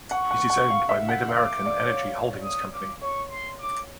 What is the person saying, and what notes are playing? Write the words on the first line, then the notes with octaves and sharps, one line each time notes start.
It is owned by MidAmerican Energy Holdings Company.
F#5 C#6
F#5
F#5
F5
E5
F#5
F5 D6
D5
C#5
D#6
D6
C#5 C#6
C6
D6